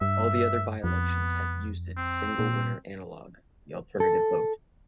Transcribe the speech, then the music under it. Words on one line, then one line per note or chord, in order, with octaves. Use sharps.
All the other by-elections have used its single-winner analogue, the alternative vote.
G2 E5
F2 B3
C4
A#2
A4